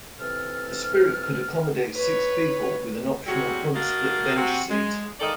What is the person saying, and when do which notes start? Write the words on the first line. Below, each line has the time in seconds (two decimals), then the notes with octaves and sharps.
The Spirit could accommodate six people with an optional front split-bench seat.
0.19 C3 E3 A4 F6
1.94 B4 C#5
3.26 C3 F#3 G3 E4 F#4 G#4
3.74 A#3 D4 F#4 D#5 F5
4.36 C3 C4 F#4
4.70 G#3
5.20 G#2 D#3 A4 D5 D#5 F5